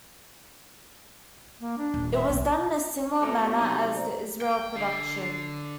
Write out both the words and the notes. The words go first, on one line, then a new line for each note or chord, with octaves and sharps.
It was done in a similar manner as the Israel production.
A#3
D4
D#1
E5
B1 C4
D2 A#2 A3 C5 A#5 D#6
B3 G4 B4 C#5
C3 F#3 D#4
C5 D5 A#5
G5
D3 C7